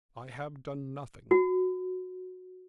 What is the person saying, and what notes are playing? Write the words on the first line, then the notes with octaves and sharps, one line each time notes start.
I have done nothing.
F#4